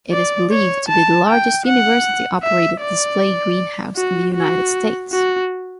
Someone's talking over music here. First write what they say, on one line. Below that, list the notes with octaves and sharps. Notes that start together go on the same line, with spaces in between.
It is believed to be the largest university-operated display greenhouse in the United States.
D5
C#5
A5
G5
F#5
E5
D5
F#4
F#4
F#4